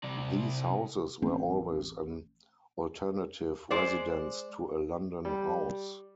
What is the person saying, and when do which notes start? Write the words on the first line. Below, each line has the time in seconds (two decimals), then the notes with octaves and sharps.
These houses were always an alternative residence to a London house.
0.03 C3 D5
1.22 A1 A3 C4 C#4
3.71 G#3 C5 D5
5.25 G3